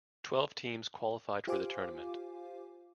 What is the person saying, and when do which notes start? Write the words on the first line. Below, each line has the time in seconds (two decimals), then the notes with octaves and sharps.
Twelve teams qualified for the tournament.
1.47 F4 G4 C5 F5 G#5 D6